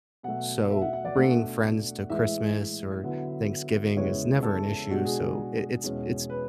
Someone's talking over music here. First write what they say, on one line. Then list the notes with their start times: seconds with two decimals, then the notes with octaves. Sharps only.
so bringing friends to Christmas or Thanksgiving is never an issue. So, it it's it's
0.23 B2 F#3 A3 F#5
0.71 E5
0.82 F#5
0.93 F#5
1.05 D5
1.17 B2 A3 D4 F#5
2.10 A2 E3 G#3 E5
3.03 D3 F#3 B3 E4
3.96 E2 C#3 G#3 B3 E4 C#5
4.43 A4
4.90 B2 G#3 D4 F#4
5.05 G#4
5.20 G#4
5.83 E2 B2 G#3 C#4
6.30 B4